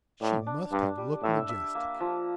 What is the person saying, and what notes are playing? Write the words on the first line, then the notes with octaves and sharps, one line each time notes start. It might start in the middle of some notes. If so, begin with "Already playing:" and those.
She must have looked majestic.
A2 D5
D4
G2 D4
G3
A2 E5
E5
A#3
F3